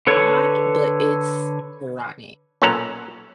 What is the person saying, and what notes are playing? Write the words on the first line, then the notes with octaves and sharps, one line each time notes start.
Odd, but it's rotten
D3 A4 B4 C#5
B1 A#2 C#4 A4 F#5 A#5